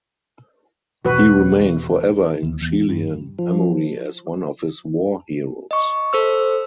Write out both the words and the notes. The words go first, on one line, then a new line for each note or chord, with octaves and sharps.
He remained forever in Chilean memory as one of his war heroes.
E1 E2 F#4 B4
D#2
E2
G2
F3
D#5 C#6
A4 C5 E6